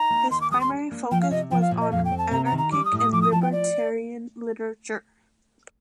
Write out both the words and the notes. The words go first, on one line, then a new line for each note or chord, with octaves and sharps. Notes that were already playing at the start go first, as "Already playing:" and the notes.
His primary focus was on anarchic and libertarian literature.
Already playing: D#4 A#5
A#3
D#2 C6
D6
G3 D#6
C6
D4
A#3
F3 G5
F5
C3 D#5
F3 G5
F5
A#2
D#5
F2 F5
G5
C4
A5
C3 A#5
A#5
D#3
A#5
G3 D6
D#6
A2
D#6
F3 D6
D#6
F3 A5
G5
D5